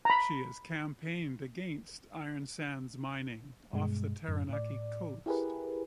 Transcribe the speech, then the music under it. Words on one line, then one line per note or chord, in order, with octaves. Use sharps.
She has campaigned against iron sands mining off the Taranaki coast.
A#5 B5
G2 B2 G#3
F#2 A2
A2 D5
E4 G4 G#4 A#4 B4